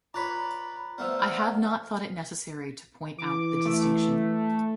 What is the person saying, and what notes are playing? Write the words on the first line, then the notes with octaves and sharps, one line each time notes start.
I have not thought it necessary to point out the distinction.
F4 B4 C#5 D5 A#5 B5 F#6 B6
F3 A3 B3 D5 F#5 E6 F6
E3 D6
A3